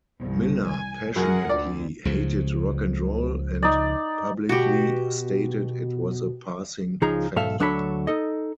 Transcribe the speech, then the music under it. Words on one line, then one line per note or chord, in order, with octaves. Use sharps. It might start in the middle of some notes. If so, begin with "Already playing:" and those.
Miller passionately hated rock and roll and publicly stated it was a passing fad.
C2 G2
G#5
F#2 G#4 A#4 F#5
D2 D5
C#2 C#3 F3
D#4 D5
B2 F#4 G4
C#2 F3 D#4 G#4 A#5
B1 G#2 A4 E5 F5
D2 F#3 D4 A4 C#5 B5
D#4 A4 D#5